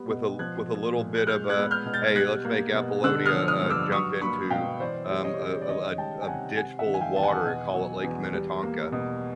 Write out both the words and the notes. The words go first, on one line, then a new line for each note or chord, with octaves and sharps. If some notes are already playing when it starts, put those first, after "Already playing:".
with a with a little bit of a, "Hey. Let's make Apollonia, uh, jump into, um, a a l a ditch full of water and call it Lake Minnetonka,"
Already playing: G3 B3
B2
F3 F#6 G#6
A3
A#2
F#6
G#3 F6 G6
F#6 G#6
B3
F6 G6
B2
G6 A6
G3 F#6 G#6
A#3
B2
D3 E6 F#6
D#6 F6
F3
D#6 F6
G2
D6 E6
E6
F#3 C#6 D#6
A#3 B5 C#6
B2 F5 G5
E3 C5 D5
G3
C#5 D#5
C#3
D5
D#3 C#5 D#5
G3 G5 A5
G5
C3 F#5 G#5
C3 F#5 G#5
E5 F#5
D#3
G#5
F5 G5
E2 A5
F#5 G#5
B2
F#3
E2
G3
A#3
B2